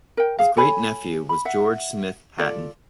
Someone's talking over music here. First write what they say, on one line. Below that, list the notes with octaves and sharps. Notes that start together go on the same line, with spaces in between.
His great-nephew was George Smith Patton.
A#4 G5
G#4 F5
A4 C#5 G#5 B5
B5
E5 F#5
F4 A4 D5